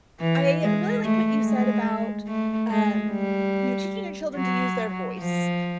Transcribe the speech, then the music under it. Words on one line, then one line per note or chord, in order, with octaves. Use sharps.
I really liked what you said about, um, you know, teaching your children to use their voice.
E3
G#3
A3
G#3
A3
G#3
G3
F#3
F3